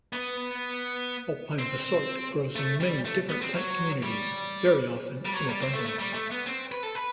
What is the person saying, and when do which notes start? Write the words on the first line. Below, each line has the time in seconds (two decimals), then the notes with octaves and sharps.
Alpine bistort grows in many different plant communities, very often in abundance.
0.13 B3
1.59 C4
2.56 A3
2.80 G3
3.05 A3
3.29 B3
3.42 C4
3.54 F#3
4.03 G3
5.25 G3
5.33 F#3
5.49 G3
5.61 C4
5.73 A3
5.86 A3
5.99 G3
6.14 A3
6.31 B3
6.46 C4
6.72 B4
6.83 A4
6.95 B4